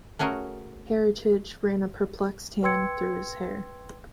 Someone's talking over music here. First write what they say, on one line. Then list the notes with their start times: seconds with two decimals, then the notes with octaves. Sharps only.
Heritage ran a perplexed hand through his hair.
0.19 A3 C#4 F#4 G#4 A#4
2.63 B4 G5 C6 E6 G#6 C#7